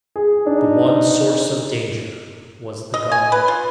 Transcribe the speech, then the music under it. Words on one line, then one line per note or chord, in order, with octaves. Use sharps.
The one source of danger was the gun.
G#4
D4 D#4
D#5
G#5
B4
F4